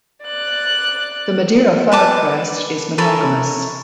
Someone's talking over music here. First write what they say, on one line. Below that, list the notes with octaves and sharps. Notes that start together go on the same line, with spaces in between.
The Madeira firecrest is monogamous.
D5 F#6
B4 A5 D6
A4 A#4 C#5 B5